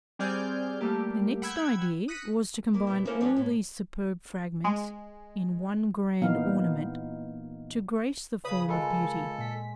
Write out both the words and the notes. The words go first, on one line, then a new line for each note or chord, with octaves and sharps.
The next idea was to combine all these superb fragments in one grand ornament to grace the form of beauty.
G3 C4 G#4 D5 F6 G6
G3 A3 A#3 G4
F#5 G5 B5 E6 F#6 G#6
D#6 F#6 A#6 B6 C#7 D#7
A#3 E4
A#2 B3 E4
A#3 C#4 E4 A4 A#4 C5
G2 F3 C#4 D4 F#4 D5
A2
G#3
A#2 E3 B3 D#4 F5
C#3 B4 B5 D#6
G#3 F4 A4 A#4
A#2 B6